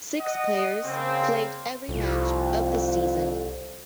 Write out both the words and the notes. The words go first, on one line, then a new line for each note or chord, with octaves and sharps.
Six players played every match of the season.
D#5 F#5
C#3 A#3 C4
C2 F2